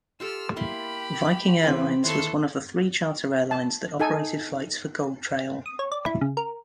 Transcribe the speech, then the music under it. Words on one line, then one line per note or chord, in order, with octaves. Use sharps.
Viking Airlines was one of the three charter airlines that operated flights for Goldtrail.
F4 G4 A4 E6 F6
A#3 E4 G4 B5 C6
E2 C3 E3 C4 G#5
D#2 E4 A4 B4 C#5 C6
A5
D#4 A4 G#5
D#6
C#5
D5
E4
C#3
A#4